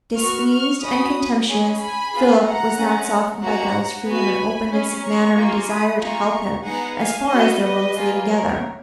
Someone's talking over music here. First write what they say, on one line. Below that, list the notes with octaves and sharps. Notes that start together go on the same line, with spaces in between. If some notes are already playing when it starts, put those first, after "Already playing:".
Displeased and contemptuous, Philip was not softened by Guy's freedom and openness of manner and desire to help him as far as their roads lay together.
B3 F#4 C#6 F6
C#6 F6
C#4 F#4 B5 D#6
C#4 G#4 G#5 B5
G#5 B5
B3 F4 G#4
F#5 A#5
C#4 G#4
A#3 C#4 F#4 F#5 A#5
B3 F#4 G#5 B5
C#4 G#4
A#5 C#6
A#3 F4 G#4
B5 D#6
A#3 F4 G#4 A#5 C#6
B3 D#4 G#4 F#5 A#5
F5 G#5
B3 F#4 D#5 F#5
B4 D#5
A#3 F4 G#4
A#4 C#5